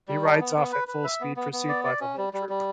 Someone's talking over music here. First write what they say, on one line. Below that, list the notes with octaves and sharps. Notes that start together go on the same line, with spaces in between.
He rides off at full speed pursued by the whole troop.
G3
D4
B3
B3
B4
B4
E5
B3
B3
B3
D5
D5
C#4
G3
G3
G3